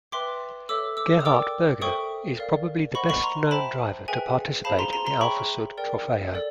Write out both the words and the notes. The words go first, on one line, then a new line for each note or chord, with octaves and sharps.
Gerhard Berger is probably the best-known driver to participate in the Alfasud Trofeo.
B4 E5 G5 C6 D6
A4 C#5 E5 D6 E6
D6 E6
D#6
A#4 D5 G5 D6 E6
A4 C5 E5 G5 C#6 D#6
A#4 D5 F5
C5 D#5 F#5 B5 C#6
B5 C#6
A#5 C6
C5 E5 G5 A5 B5
G#4 B4 E5 G5 G#5
G#4 C5 F5 A5 B5
A#5 C6
A#5 C6
A#5 C6
G#4 C#5 E5 G5 B5 C#6
A#4 D5 G5
A4 D5